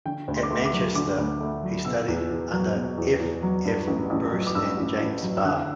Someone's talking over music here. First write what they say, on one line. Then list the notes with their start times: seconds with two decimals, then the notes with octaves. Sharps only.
At Manchester he studied under F. F. Bruce and James Barr.
0.05 D3 G5
0.28 D2
0.36 C6
0.43 D6
0.50 A3 C6
0.65 D6
0.73 F#3
0.95 D3 D6
1.18 D2
1.40 A3
1.63 F#3
1.85 B2 E6
2.08 E2
2.30 E2
2.52 F#3
2.75 B2
2.98 E2
3.20 E2
3.43 F#3
3.65 G2
3.88 A1
4.10 A1
4.33 F#3
4.47 D6
4.55 G2 E6
4.78 A1
5.00 A1
5.22 F#3
5.37 E6
5.45 D3 F#6